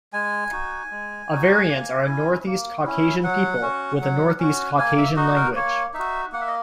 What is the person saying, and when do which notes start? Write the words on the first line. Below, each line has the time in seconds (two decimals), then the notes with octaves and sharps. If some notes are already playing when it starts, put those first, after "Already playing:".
Avarians are a Northeast Caucasian people with a Northeast Caucasian language.
0.13 G#3 G#5
0.52 D#4 F#4
0.91 G#3
1.29 D#4
1.34 F#4
1.69 A#3
2.07 C#4 E4
2.46 A#3
2.85 C#4 E4
3.23 F#3 F#5
3.62 C#4 F#4
4.01 F#3
4.39 C#4 F#4
4.78 A#3 G#5
4.98 E5
5.16 D#4 F#4 D#5
5.36 A#4
5.55 A#3 C#5
5.94 D#4 E5
5.99 F#4
6.32 A#3 F#5
6.41 E5
6.48 D#5